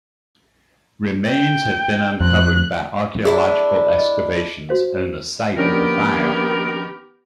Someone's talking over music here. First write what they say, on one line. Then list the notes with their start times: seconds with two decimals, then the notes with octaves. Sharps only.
Remains have been uncovered by archaeological excavations on the site of the fire.
1.29 G5
2.20 F2 F#6
3.25 A3 D4 E4 G#4
3.98 D#5
4.69 F#4 C5 F5
5.57 D#3 F3 A#3 B3 C#4 D4 G4 A#4